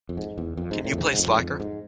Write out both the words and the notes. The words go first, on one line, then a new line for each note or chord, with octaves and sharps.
Can you play Slacker?
F2
G#2
E2
F2
G#2
A2
F2
G#2
G#2
F2
G#2
F2
G#2